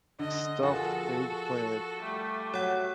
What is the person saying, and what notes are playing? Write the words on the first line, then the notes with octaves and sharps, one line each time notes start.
Stuffed eggplant
D3 D#5
F3 F4 F#4 G#4 A4 F#5
G3 A3
F#3 C#5 F#5